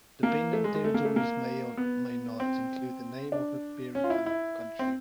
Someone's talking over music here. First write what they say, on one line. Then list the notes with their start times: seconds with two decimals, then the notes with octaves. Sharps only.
Dependent territories may or may not include the name of the parent country.
0.23 A#3
0.53 A3
0.64 G#3
0.74 G#3
0.84 A3
0.94 A#3
1.05 A3
1.16 A#3
1.77 B3
2.40 C4
3.32 D4
3.95 C#4
4.04 F4
4.10 E4
4.26 E4
4.79 C4